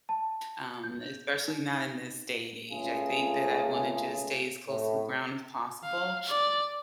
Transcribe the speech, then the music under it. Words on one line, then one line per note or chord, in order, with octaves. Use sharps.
um, especially not in this day and age, I think that I wanna just stay as close to the ground as possible,
A5
G6
D#4
C#2 C#3 A3 F4 G#4
A2
F5
D5